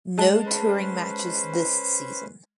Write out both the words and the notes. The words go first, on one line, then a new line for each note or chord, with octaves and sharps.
No touring matches this season.
G#3 A5
C#4 B4 C5